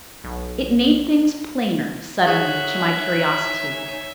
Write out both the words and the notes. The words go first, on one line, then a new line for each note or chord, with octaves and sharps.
It made things plainer, suddenly, to my curiosity.
B1
D#4 F#4 G#4 C#5 E5 G#5 F#6